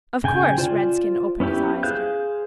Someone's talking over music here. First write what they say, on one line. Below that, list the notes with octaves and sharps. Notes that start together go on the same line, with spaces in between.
'Of course!' Redskin opened his eyes at her.
C#3 G5 G#5 G6
F4 C5 D5
B3 C#4 E4 G4 B4
G#4 C5 F5 F#6 G6